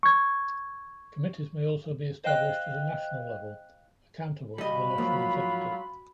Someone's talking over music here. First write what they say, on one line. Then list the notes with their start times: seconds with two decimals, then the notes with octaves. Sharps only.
Committees may also be established at a national level, accountable to the National Executive.
0.03 C#6 G#6
2.24 C5 D#5 F5 G5 F#6
4.58 C#3 G3 F#4 D#5 B5
4.98 G#2 F3 F#3 A#3 F4